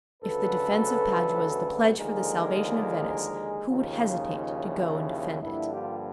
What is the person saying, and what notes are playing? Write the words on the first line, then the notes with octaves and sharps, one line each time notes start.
If the defence of Padua is the pledge for the salvation of Venice, who would hesitate to go and defend it?
D2 C#3 F#3 A3 A4 B4
D#2 D3 F3 G#3 G#4 A#4
D#2 C#3 F3 D#4 F4
D4 E4
G2 D3 F3 A#3 D4 E4
F4 G4